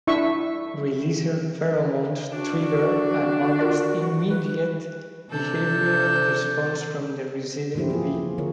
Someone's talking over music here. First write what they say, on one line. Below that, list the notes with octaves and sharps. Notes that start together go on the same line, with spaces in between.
Releaser pheromones trigger an almost immediate behavioral response from the receiving bee.
D4 E4 E5 C#6
D4 F#4
F4 A#4 D5
B4
C3 D4 A4 G6
E3 F3 A#3 E4 G4 C5
F4 G#4
F4
D3 F4 A#4 C#5